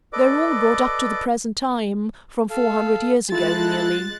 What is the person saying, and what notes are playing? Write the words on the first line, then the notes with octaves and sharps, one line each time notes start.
"They're all brought up to the present time--from four hundred years ago, nearly."
A4 B4 D5 D#5 D6
A4 F5
G#3 E4 F4 A4 A5 F#6 A6